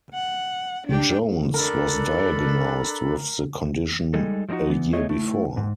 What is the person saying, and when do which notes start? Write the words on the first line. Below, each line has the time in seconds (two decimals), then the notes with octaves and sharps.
Jones was diagnosed with the condition a year before.
0.14 F#5
0.87 D4 G4
1.54 D4 A4 A#4 B5
4.14 G3 G#3 D#4 A4
4.49 F3 G#3 C4 D#4 F#4
4.70 E3 B3
4.93 A3 B3 G#4 C#5 D#5
5.10 A3 E4
5.57 G#2